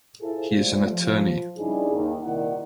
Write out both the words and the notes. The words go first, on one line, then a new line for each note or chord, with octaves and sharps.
He is an attorney.
E4 F4 G#4 A4 C5
G3 A3 F4 C5
F3
G2 C#3 G3 D#4 E4 G#4
D#2
C2 A#2 D#3 E4 D5 F#5